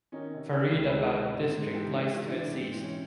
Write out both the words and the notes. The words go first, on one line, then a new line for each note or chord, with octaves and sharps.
Faridabad district lies to its east.
D#3 C#4 D#4
C3
A#4
C3 G4 A4
C#2
B4
C#2 G#4 A#4
C3
G#2
G#2
E3 G4 A4
G#2
E3 F#4 G#4
D4 E4
E3
C4 D4
G#2 C4
E3 C4
C#4